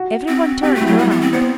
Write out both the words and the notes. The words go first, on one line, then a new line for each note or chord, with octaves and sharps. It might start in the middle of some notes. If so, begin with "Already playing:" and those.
Every one turned round.
Already playing: F#4
C4
C4 G4
F#4
A3
E4
F#3 F#4
G3
B3
C4
B3 C5